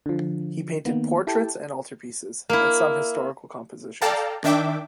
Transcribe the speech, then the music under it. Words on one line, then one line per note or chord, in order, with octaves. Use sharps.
He painted portraits and altarpieces, and some historical compositions.
D3 F3
D#3 A#3 B3
E4 G4 A4 G5 A5
A#3 E4
A4 D5 F5 G5 A5 A#5
D#3 D4 E5 G5 D6